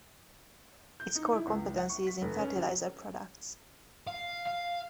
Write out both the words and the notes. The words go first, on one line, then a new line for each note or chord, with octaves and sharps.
Its core competency is in fertiliser products.
G6
D#4
E4
C#2
F#5
C#6
B6
F1
C#4
F#3
F5
F5